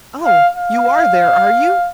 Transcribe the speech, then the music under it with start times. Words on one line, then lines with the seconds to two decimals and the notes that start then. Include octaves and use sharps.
Oh! you are there, are you?
0.26 F5
0.56 F5